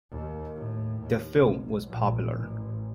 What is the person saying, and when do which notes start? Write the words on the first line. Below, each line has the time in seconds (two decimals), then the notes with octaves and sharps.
The film was popular.
0.11 D#2
0.55 A2
1.01 D#2
1.41 B1
1.88 A#1
2.30 A1